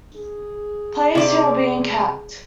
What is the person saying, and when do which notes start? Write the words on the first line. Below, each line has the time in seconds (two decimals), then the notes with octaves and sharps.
"Players who have been capped".
0.16 G#4
1.15 C3 D5